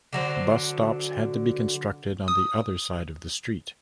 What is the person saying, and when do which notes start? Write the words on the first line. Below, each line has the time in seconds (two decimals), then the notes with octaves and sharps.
Bus stops had to be constructed on the other side of the street.
0.13 D3 F#3 C5
2.28 D#6